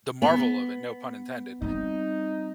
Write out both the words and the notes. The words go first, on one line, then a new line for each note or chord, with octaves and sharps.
the marvel of it- no pun intended-
B3
G3 C4 D#4